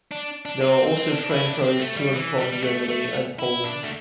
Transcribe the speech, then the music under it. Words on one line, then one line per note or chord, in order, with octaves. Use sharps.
There are also train ferries to and from Germany and Poland.
D4
D4
C4
C4
D4
E4
D4
C4
A3
G3
E3
G3
G3
A3
A3
E4
D4
A3